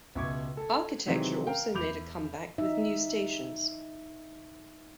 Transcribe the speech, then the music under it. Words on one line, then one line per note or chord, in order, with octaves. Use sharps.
Architecture also made a comeback with new stations.
C#2 B2 E5 C#6 D6 G#6
A4
C3 D#3 E3 F#3 G#3 C4
A#4 F5 G5
E2 B5 D6 G6 F7
D#4 E5